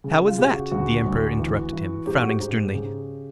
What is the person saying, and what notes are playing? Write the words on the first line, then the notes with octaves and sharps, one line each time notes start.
"How is that?" the Emperor interrupted him, frowning sternly.
C#3
F4
C#3 G4
F#4
D2 F#4
D2
E3
E3
G#2 G4
F#4
G4
G#2
C#3